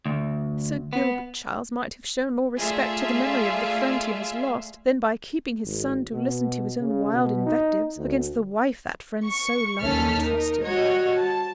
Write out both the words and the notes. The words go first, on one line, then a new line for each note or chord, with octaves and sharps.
"Sir Gilbert, Charles, might have shown more respect to the memory of the friend he has lost, than by keeping his son to listen to his own wild invectives against the wife that friend so loved and trusted."
D2
B3
A3 F4 G#4 D5 E5 F5
G#1
B2
C#3
B2
D#4
D2
C#6
D#2 C#4 A4 A5 F6 B6
D#4 A#4
G3 F#4 C#5 D#5
A5